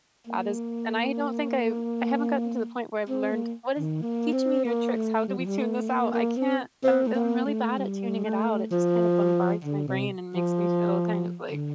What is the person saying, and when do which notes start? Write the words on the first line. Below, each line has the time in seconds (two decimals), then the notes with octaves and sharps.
uh, those and I don't think I've I haven't gotten to the point where I've learned what is Teach me your tricks, how do we tune this out? I can't I don't uh, I'm really bad at tuning it out, it just kind of bombards my brain and makes me feel kind of like
0.27 A#3
3.09 C4
3.32 A#3
3.79 D#3
4.02 A#3
4.33 C4
4.65 A#3
4.96 A3
5.28 G3
5.38 F3
5.46 G3
5.59 A3
5.89 A#3
6.13 A#3
6.37 C4
6.84 C4
7.07 A3
7.14 A#3
7.46 A3
7.77 G3
8.24 A3
8.71 F3
9.64 D3
9.88 C3
10.35 F3
11.51 D3